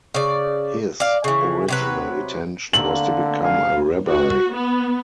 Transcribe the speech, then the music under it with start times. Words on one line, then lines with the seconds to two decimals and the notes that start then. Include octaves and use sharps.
His original intention was to become a rabbi.
0.14 C#3 D5
1.00 D5 F5
1.24 C#3 E3
1.68 C3 F#3 B4
2.73 D3 A3 A#3 C4 F#7
3.44 F5 G#5
4.09 F#4
4.54 B3